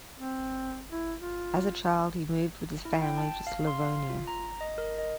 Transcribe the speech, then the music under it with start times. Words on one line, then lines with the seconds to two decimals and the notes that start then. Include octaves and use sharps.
As a child, he moved with his family to Slavonia.
0.17 C4
0.92 E4
1.20 F4
2.85 E4
3.02 G5
3.18 A5
3.47 F5
3.67 C6
3.82 F5
4.10 F4
4.27 A#5
4.61 D#5
4.78 A#4
4.99 D#5